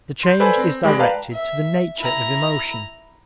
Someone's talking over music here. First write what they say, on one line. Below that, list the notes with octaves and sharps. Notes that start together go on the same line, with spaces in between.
The change is directed to the nature of emotion.
C6 G6
A4 B4 C5 D5 G#5 B5
C4
E3 G#3 G4 D5 B5 A#6
B4 D5 F5 G5 A5 A#5
E5
E4 A#5